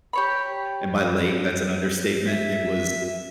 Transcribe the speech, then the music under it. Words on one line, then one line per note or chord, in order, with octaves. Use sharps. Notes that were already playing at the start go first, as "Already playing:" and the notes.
And by lake, that's an understatement. It was
G4 C#5 B5
E5